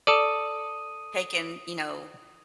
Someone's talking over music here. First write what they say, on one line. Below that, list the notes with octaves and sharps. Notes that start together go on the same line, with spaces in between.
taken, you know,
A4 D5 D#6 D#7